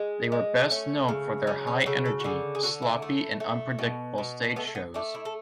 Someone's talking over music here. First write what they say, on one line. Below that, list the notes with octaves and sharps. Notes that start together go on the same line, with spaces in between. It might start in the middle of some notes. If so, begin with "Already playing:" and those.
They were best known for their high energy, sloppy and unpredictable stage shows.
Already playing: G#3
G#3
A3 C#4
C#3
F#3 C#4
C#4
C#3 A4
A4
F#4
D3 G#4
G#4
D3 F#4
E4
A3
A3
B2
B2
A3 B3
A3
B3
A3 D4
E4
A4